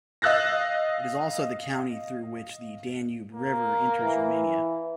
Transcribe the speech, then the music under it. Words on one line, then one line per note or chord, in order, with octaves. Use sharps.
It is also the county through which the Danube River enters Romania.
D#5 F5 E6 F#6 A6 A#6
A#3
E3